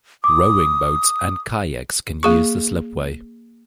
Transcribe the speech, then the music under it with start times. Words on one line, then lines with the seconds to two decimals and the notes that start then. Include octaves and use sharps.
Rowing boats and kayaks can use the slipway.
0.24 D6 D#6
2.23 A#3 G#4 C#6